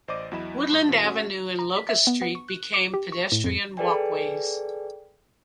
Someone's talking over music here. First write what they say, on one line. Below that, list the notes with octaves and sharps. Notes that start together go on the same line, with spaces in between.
Woodland Avenue and Locust Street became pedestrian walkways.
A1 C5 D5 D#5 D6 D#7
E2 F#3 E4 D#5 B5 E7
G#2 C6 C7 E7
B2 E3
A3 C#4 F#4
A#5
B6
E5
B3
B3
C#6
F#6
D6
G4
C#6
A2
F2
G#4 A4 B4 D5 G5 G#5